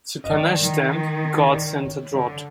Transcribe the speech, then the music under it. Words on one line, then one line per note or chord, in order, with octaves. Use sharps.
To punish them, God sent a drought.
D#5
D#3 D5
D#3
D5
C#5
D3